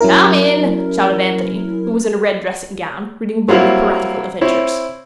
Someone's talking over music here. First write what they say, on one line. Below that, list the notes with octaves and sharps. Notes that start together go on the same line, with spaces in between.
"Come in," shouted Anthony, who was in a red dressing-gown, reading a book of piratical adventures.
F#3 C#4 E4 A#4
F#3 G3 A#3 C4 E4
C4 E4 C#5